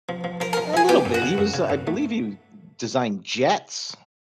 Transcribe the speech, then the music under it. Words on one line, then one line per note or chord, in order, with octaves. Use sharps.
A little bit. He was I believe he d designed jets,
F3
F3
F3 A#4
A#4
F3
F3 G#4
B3 G4
F#2
F#4
C#3
F#2
C#3
F#2
A3